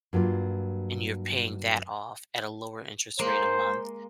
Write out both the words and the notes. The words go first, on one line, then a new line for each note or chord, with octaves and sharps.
and you're paying that off at a lower interest rate a month.
G2 F#3 A#3 F4
G#3 A#3 C5